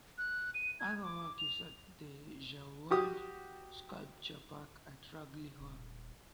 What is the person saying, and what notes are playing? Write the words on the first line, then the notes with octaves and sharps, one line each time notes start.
Other work is at the Jerwood Sculpture Park at Ragley Hall.
F#6
D#7
G#6
D6
F7
F#4 G4 D#6
D#1